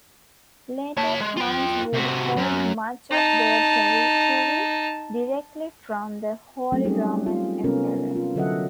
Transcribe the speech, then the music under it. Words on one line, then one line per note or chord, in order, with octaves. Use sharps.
Later counts would hold much of their territory directly from the Holy Roman Emperor.
C#5 A5
G#3
F4 G5
C3 F#4
F#2
D#4 A5
F#3 G3 A3 C4 C#4
G3 C#4 D#4 G4 G#4
F4
C3 B3 C#4 A4 A#4
F4
D3 F#3 A4 D#5 E5 F#5